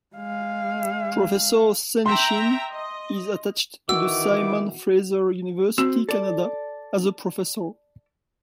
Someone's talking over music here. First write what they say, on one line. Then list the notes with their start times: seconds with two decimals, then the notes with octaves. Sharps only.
Professor Senyshyn is attached to the Simon Fraser University, Canada as a Professor.
0.16 G#3 F5
2.06 E5 G5 A#5 C6
2.71 D#5
3.89 D#3 E3 F#4 D6 E6
5.78 C4 F#4
6.09 A4 D5